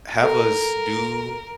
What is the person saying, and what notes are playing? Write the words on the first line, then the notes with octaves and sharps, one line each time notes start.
have us do
A4 A#4